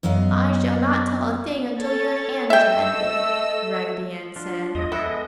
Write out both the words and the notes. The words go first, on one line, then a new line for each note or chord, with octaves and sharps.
"I shall not tell a thing until your hand is mended!" Raggedy Ann said.
F#2 F#3 B3 D#5 F5
A4 C#5 A6
A3 D#5 E5 G5 E6
F3 D4 F4
E2 D#5
G#3 B3 E4 A4 F#6